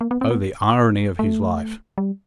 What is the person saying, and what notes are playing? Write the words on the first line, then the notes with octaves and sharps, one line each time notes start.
Oh, the irony of his life!
A#3
B3
C4
B3
A3
G3